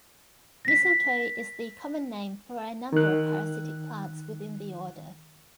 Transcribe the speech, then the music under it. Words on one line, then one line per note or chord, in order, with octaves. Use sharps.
Mistletoe is the common name for a number of parasitic plants within the order.
A#6 B6
D#3 F#6